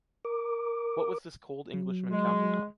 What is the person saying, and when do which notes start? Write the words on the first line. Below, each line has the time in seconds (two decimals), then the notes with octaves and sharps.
What was this cold Englishman counting on?
0.25 A#4 D6
1.74 F#3
2.11 G#3